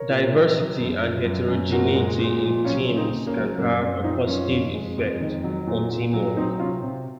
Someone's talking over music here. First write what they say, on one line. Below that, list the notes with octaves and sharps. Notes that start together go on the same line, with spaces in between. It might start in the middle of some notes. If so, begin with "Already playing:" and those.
Diversity and heterogeneity in teams can have a positive effect on teamwork.
Already playing: A#4 C#5
A#2
F#3
F#3
F#2
F3
F#2
F#2
A#2 F#4 A#4
G#3
A#2
F3
F#3 C#4 F4
C#3
C4 D#4
C#3
A#3 C#4
F#3
F#2 A#3 C#4
F#2 C4
F3 C4 D#4
F#2 C#4 F4
F2
G#3
F2
D#3
F#3
A#2
A#2
F#3
F#3 C4 D#4
C3 C#4 F4
C3 C4